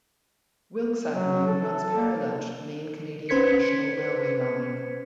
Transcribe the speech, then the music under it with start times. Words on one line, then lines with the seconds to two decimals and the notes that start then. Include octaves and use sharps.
Wilkes Avenue runs parallel to the main Canadian National Railway line.
1.09 F#3
1.47 A4
1.95 A#3
3.29 C#4 B4 C5 G#6 B6 C#7